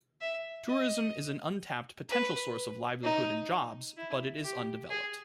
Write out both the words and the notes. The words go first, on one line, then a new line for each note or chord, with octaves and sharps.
Tourism is an untapped potential source of livelihood and jobs but it is undeveloped.
E5
D#5
B4
D#4
E4
G4
G#4